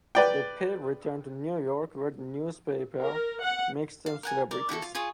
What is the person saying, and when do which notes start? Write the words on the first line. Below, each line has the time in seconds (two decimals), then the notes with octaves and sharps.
The pair return to New York where the newspaper makes them celebrities.
0.15 B4 D5 G5
3.01 A#4
3.41 F#5
4.06 F5
4.23 A#4 F#5 G#5
4.51 A#4 D5
4.69 E4 F#4 G4 A4
4.82 F4
4.95 F4 G#4 C#5